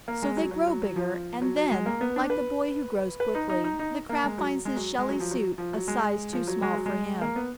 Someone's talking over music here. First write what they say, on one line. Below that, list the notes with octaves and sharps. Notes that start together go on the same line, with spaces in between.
So they grow bigger; and then, like the boy who grows quickly, the Crab finds his shelly suit a size too small for him!
A#3
G#3
F#3
F#3
F#3
F#3
F3
F#3
F#3
G#3
A#3
B3
D4
B4
B4
D#4
D#4
D#4
D#4
A#3
G#3
F#3
G#3
F#3
G#3
F#3
F3
F#3
F3
F#3
G#3
F3
F#3
G#3
F#3
G#3
A#3
B3